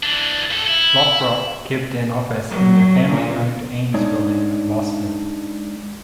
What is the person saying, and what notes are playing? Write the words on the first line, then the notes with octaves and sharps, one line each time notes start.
Lothrop kept an office in the family-owned Ames Building in Boston.
E3 D4
G2 A4
E4
F#3
A#2
G#3 D4 D#4 C#5